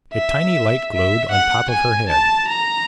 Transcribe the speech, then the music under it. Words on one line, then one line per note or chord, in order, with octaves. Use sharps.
A tiny light glowed on top of her head.
E5
E5
F#5
G#5
A5
A#5